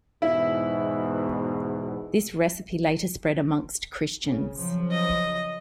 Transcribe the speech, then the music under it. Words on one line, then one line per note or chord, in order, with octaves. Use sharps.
This recipe later spread amongst Christians.
E2 G#2 B2 E4
C#3
C#3 F3 F#3
D#5